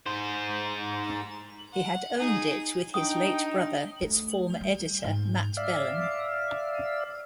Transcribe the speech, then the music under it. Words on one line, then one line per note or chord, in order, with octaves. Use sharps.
He had owned it with his late brother its former editor, Matt Bellan.
G#2 C5
F#5
D#4 G#4
D4 D#4 G5 D#6
A3
G3
G#2
D5 E5 F5